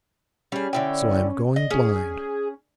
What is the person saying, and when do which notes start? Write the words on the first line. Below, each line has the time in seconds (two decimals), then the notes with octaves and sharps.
So I am going blind.
0.52 G3 C#4 G#4
0.73 D3 E4 G5
1.56 D#5
1.70 C#4 G#4